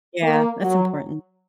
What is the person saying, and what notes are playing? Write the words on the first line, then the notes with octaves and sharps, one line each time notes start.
Yeah, that's important.
A#3
F#3